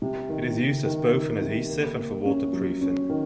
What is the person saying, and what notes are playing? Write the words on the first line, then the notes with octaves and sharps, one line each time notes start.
It is used as both an adhesive and for waterproofing.
C3
D#3
D#3
D#3
D#3
C3
A#3
A#3
C#4
F#3
C#4
D#3